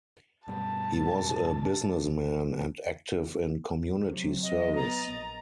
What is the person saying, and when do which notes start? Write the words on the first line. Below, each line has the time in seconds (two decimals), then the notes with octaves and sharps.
He was a businessman and active in community service.
0.48 G2 B2 G3 A5
4.03 C3 F#3
4.43 D#5
4.76 B3 D#5 A#5 A6
5.09 A#1